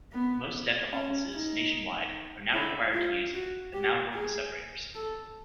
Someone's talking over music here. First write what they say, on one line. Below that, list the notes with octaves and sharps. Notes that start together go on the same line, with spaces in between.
Most dental offices nationwide are now required to use amalgam separators.
B3
C#4
D#4
E4
F4
F#4
G4
G#4
A4